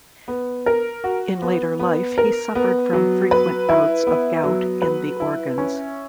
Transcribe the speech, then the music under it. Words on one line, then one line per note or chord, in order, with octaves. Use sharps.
In later life he suffered from frequent bouts of gout in the organs.
B3
A#4
F#4
B3
B3
A#4
B3
F#3
B4
E4
B3
F#3
B4
E4
C#4